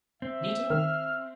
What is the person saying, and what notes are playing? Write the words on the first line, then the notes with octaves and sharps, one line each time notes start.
Me too!
C4 E5
D#3 F6